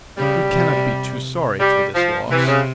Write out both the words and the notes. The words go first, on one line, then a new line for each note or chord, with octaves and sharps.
We cannot be too sorry for this loss.
C#3 G3
C3
G3
F3
C3 E3
C#3